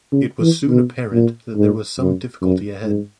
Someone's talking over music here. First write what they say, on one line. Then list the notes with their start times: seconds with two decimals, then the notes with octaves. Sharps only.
It was soon apparent that there was some difficulty ahead.
0.12 C#3
0.41 E3
0.69 B2
1.12 A#2
1.56 G#2
1.99 F#2
2.42 F#2
2.85 G#2